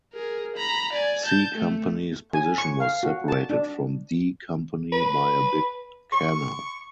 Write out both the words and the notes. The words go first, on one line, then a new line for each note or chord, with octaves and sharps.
C Company's position was separated from D Company by a big canal.
G#4 A#4
A#5 B5
D5 G#5
A5 G6
A3
G#5
C#6
F5
F#4
A5
D4
B4
C#6